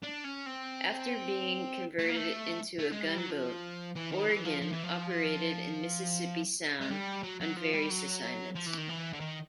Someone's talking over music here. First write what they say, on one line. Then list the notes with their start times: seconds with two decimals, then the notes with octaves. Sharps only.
After being converted into a gunboat, "Oregon" operated in Mississippi Sound on various assignments.
0.02 D4
0.24 C#4
0.46 C4
1.99 A3
2.08 A#3
2.17 A3
2.79 A3
2.92 G#3
3.05 G3
3.17 F#3
3.30 F3
3.96 E3
4.12 D#3
4.29 E3
4.45 F3
4.61 F3
4.72 E3
4.83 F3
6.81 G#3
6.91 G3
7.23 F#3
7.40 F#3
7.56 F3
7.73 G3
7.90 F#3
8.55 F3
8.66 E3
8.77 D#3
8.89 E3
9.13 D3
9.20 D#3